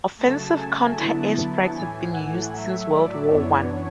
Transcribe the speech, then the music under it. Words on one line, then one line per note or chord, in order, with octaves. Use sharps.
Offensive counter-air strikes have been used since World War One.
C#3 F#3 A3 A5
G#5
D3 F#3 B3 E4 A5
A2 E3 A3 G#5
F#5
A2 F#3 A3 E5
D5
F#2 E3 B3 D4 C#5